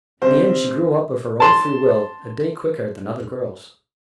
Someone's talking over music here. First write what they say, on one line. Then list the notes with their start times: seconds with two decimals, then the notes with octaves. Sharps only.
In the end she grew up of her own free will a day quicker than other girls.
0.22 C2 C5
1.40 A5 C6